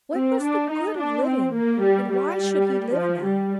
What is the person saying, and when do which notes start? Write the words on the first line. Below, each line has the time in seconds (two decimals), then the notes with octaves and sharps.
What was the good of living, and why should he live now?
0.13 C4
0.42 D4
0.70 D#4
0.97 D4
1.26 C4
1.54 A#3
1.82 G3
2.11 G3
2.95 F3
3.24 G3